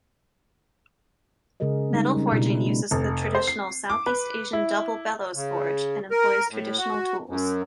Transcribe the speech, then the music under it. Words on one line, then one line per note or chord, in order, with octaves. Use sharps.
Metal forging uses the traditional Southeast Asian double-bellows forge, and employs traditional tools.
C#3 G#3 G#4 A#4 D#5
G3 G#3 C4 D#4
G3 C#4
B2 D4 E4
A3 D4
F1
C5
C7
D6
B4
E4
C#3
A#4
A2
F#4
F#2